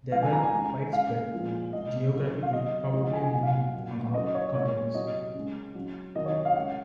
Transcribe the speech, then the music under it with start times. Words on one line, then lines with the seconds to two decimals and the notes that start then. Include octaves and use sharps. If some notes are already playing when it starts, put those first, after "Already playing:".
They were widespread geographically, probably living on all continents.
0.12 C#3 F3 G#3 F5
0.23 G#5
0.32 A#5
0.43 G#5
0.53 C#3 G#3
0.92 C#3 G#3 F5
1.33 A#2 F3 G#3
1.73 A#2 G#3 D#5
2.14 C3 F#3
2.42 F5
2.53 C3 F#3 D#5
2.93 C3 F3 G#3 D#5
3.03 F#5
3.13 G#5
3.23 G#5
3.33 A#2 F#5
3.38 F#3 F5
3.52 F#5
3.74 A#2 F#3
4.14 C#3 F#3 D#5
4.35 C#5
4.55 A#2 G#3 C#5
4.94 C3 F#3 D#5
5.35 C#3 G#3
5.75 C#3 F#3
6.15 C3 D#3 F#3 D#5
6.26 C#5
6.45 F5
6.56 C#3 G#3 F#5